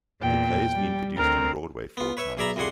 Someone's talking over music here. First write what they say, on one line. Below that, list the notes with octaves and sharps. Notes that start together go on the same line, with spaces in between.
The play has been produced on Broadway four times.
E2 A#2 G5
G3
D2 C4 A#4
B3 F4
B4 C#5 E5
B1 G#4 D5 E5 A#5 B5
C2 F2 G3 G#4 F#5 C6